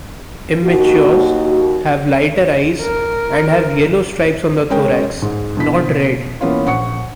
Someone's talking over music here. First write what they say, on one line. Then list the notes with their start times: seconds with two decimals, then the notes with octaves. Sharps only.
Immatures have lighter eyes and have yellow stripes on the thorax, not red.
0.63 D#2 F#4
2.81 A#4
4.70 G#3 C#4 A#4 G5
5.22 G#2
5.57 B2 D3 E3 B6
5.88 B2
6.41 E3 A#3 B3 C#4 F4
6.66 A#1 F#5 C#6 C#7